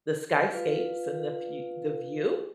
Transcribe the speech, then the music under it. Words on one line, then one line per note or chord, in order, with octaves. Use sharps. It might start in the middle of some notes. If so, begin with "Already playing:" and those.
the skyscapes and the fe the view.
F4 B4 F5